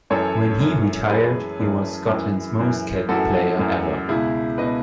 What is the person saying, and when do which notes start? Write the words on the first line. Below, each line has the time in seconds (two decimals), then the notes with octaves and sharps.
When he retired, he was Scotland's most-capped player ever.
0.10 F#2 E3 A4 C#5
0.60 F#2 E3
1.10 F#2 E3 G#4 B4
1.59 F#2 E3
2.09 F#2 E3
2.59 F#2 E3
3.09 F#2 E3 F#4 A4
3.59 F#2 E3
4.09 C#2 B2 E4 G#4
4.58 B2 B4 D#5